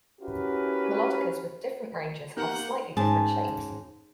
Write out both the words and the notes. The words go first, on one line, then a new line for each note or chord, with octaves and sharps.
Melodicas with different ranges have slightly different shapes.
C#4 E4 F#4 G4 A#4 B4
A#3 B3 D#4 G4 A#4 F#5 F#6 G6
G#2 C#4 G#4 A5